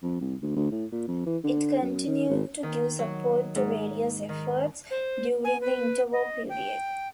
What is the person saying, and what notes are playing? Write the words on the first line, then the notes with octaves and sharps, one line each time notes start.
It continued to give support to various efforts during the interwar period.
F2
C2
D2
D2
A2
A#2
F2
E3
D3
F#2
D#3
G#1
D#3
F#3
G#2
D#3
C5
G#5
B4
D#5
G5